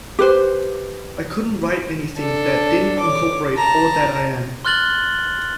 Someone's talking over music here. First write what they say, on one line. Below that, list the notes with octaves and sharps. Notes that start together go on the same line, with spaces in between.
I couldn't write anything that didn't incorporate all that I am.
G4 B4 C5
D4 A4
C#5 D6
A5 A#5
C6 F6 F#6 A6 F#7 G7